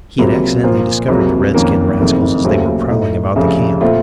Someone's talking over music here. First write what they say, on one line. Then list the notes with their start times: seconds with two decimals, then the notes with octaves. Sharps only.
He had accidentally discovered the red skin rascals as they were prowling about the camp.
0.18 C#2 C3 F#3 A#3 F4
0.63 A#2 F3 A#3 F4
1.08 C#2 C3 F#3 A#3
1.54 F2 D#3 A#3 C#4
2.00 F#1 F2 C3 D#3 A3
2.44 D#2 C#3 F#3 A3 C4
2.90 A2 A3 D#4
3.35 F1 F2 C#3 A3
3.81 A#2 A3 C4 F4